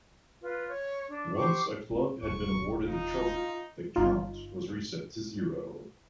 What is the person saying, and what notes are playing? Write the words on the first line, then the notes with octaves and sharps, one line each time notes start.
Once a club had been awarded the trophy, the count was reset to zero.
F4 B4
C#5
D4
G4 C5 C#6 D6
C4
E1 D#2 C#6
D#4 F4
G1 D#4 F4